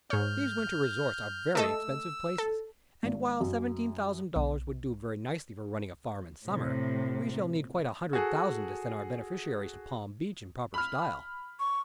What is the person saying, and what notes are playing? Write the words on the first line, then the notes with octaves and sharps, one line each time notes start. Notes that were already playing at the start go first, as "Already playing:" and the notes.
"These winter resorts are very expensive places, and while seventeen thousand dollars would do very nicely for running a farm in summer, we shall need quite a hundred thousand to send our beneficiaries to Palm Beach in proper style."
G#2 C#5 F6 G6
A3 A4 D#5 E6
A4
G#1
F#2
B1
A2 C3
F#4 G#4 A4
B5 F6
C#6